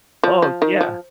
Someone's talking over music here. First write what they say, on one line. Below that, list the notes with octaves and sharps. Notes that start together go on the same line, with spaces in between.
Oh, yeah.
F3
F3
D#3
F3